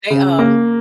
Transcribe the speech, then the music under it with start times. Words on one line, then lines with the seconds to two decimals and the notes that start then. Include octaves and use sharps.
They are.
0.10 C#3
0.39 A#3